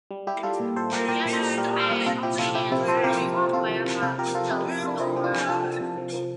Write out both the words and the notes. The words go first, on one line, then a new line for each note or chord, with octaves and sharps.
Users may only install software from Windows Store.
G3
G3 E4 G4
G3 F4 A4
A#2
A#2 A4 C5
A#2 G4 A#4
A#2 G4 A#4
A#2
A4 C5
G3
G3 G4 A#4
G3
A#2
C3 F4 A4
F3 E4 G4
F3 F4 A4
F3 E4 G4
C3 C4 E4
F3 A4 C5
C3 G4 A#4
C3
F3
C3 F4 A4
F3
C3
C3 F4 A4
F3 G4 A#4
F3 F4 A4
C3 E4 G4
C3
C3 D4
F3 C4 E4
F3 G4
D4 F4
C3
F3 F4 A4
F3
C3
F3
F3